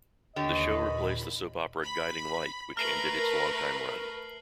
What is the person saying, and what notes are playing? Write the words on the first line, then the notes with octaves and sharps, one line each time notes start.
The show replaced the soap opera "Guiding Light", which ended its long-time run.
D#2 D3 G4 B4 C#5 D#5
D#2 A#2 B5
B5
A3 A#4 B4 A#5 F6 C7 F#7